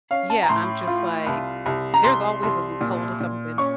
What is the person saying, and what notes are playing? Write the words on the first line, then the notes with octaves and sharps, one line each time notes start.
Yeah, I'm just like, there's always a loophole to something.
C#4 F5
A5
A#5
A2 C6
F4
C2
C2
A#5
C2 C6
C2
A#2
A#2
C#4 C#6